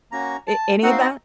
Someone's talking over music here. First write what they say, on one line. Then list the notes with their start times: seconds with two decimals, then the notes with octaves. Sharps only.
A any of that?
0.11 A#3 C#4 F#4 A#5
0.47 A5
0.83 C4 D#4 F#4 F#5
0.92 F5
1.01 D#5